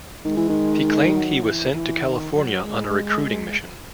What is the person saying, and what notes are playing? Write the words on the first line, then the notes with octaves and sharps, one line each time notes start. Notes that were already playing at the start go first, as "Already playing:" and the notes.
He claimed he was sent to California on a recruiting mission.
D#3 G#3
E3
D#3
F#3
E3
E3
D#3
F#3
G#3